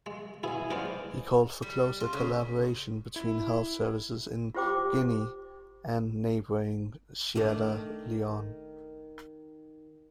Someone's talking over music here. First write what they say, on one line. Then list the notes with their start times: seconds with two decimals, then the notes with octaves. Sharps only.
He called for closer collaboration between health services in Guinea and neighbouring Sierra Leone.
0.06 G#3
0.43 B2 E4 G#4 G#5
0.70 G#3 B3 D4 C5 D5 F5
1.62 G3
2.00 F4
2.13 C#3
3.16 E4
4.54 F4 G4 C5 G5 D6
7.35 D#3 A3 D4